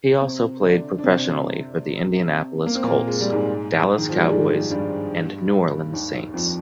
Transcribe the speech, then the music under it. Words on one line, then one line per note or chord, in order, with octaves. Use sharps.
He also played professionally for the Indianapolis Colts, Dallas Cowboys, and New Orleans Saints.
C3 C4
D3 D4
D4
C3 C4
A#3
C4
A#2 A#3
G#3
G3
G#2 G#3
D#3
F3
G3
G#2 G#3
G2 G3
D#2 D#3
F2 F3